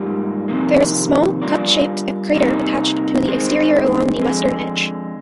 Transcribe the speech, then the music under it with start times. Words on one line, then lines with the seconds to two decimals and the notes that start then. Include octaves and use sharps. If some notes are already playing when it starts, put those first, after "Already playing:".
There is a small, cup-shaped crater attached to the exterior along the western edge.
Already playing: G#2 G3 A#3 F4
0.48 F2 C3 D#3 A#3
1.42 G3 D4 F4 A#4 D5
2.34 C3 G3 A#3 D#4 G4
3.27 D#3 G#3 C4
4.21 F2 D3 G#3